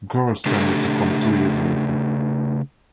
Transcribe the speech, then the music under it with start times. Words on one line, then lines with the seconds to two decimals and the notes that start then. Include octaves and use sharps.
Gorrell's turn was to come two years later.
0.46 C#3 A3 D4 G4 A4